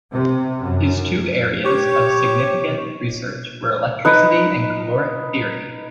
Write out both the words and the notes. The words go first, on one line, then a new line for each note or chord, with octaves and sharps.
His two areas of significant research were electricity and caloric theory.
C3
F#2
G4 C#5
D#4 B4